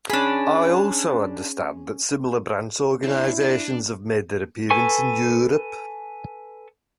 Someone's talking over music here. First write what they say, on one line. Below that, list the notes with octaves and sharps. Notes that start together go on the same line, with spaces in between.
I also understand that similar branch organizations have made their appearance in Europe.
C#4 D4 G#4 B5
C4 D4 E4
D4
A4 B4 G#5 C#6